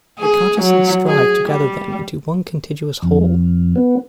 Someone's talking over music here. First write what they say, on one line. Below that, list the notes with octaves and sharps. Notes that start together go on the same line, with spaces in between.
They consciously strived to gather them into one contiguous whole.
G#4
F#3
G#4
G3
F2
B3